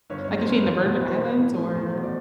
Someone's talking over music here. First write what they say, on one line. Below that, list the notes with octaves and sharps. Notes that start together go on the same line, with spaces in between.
Like is she in The Virgin Islands or
G1 C#5
C#5
F#2
C5
G1 B4
E2 C5
B2 C5
B4
E2
C5
A1 B4
A2
A3
E2 C5
B2
D5